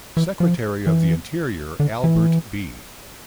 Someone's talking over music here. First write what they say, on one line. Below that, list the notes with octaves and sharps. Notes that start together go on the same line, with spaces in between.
Secretary of the Interior Albert B.
E3
F3
E3
D3
E3